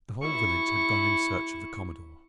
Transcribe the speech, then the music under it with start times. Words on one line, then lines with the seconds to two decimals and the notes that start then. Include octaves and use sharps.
The whole village had gone in search of the commodore.
0.22 E4 C#6